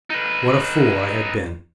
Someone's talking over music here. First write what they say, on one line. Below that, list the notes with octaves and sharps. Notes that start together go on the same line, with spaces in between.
What a fool I had been!
D#4 B4